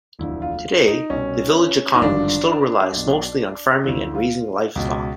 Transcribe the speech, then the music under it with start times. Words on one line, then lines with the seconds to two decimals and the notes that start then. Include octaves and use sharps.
Today, the village economy still relies mostly on farming and raising livestock.
0.19 E1 D2 D3 F3 E4
0.42 F4
0.87 D#4
1.10 C2 B2 C#4
1.95 D#4
2.01 G#1 G2 D3 F3 D4
2.92 B1 B2
3.84 D2 D3 F3 E4
4.15 F4
4.76 C#2 B2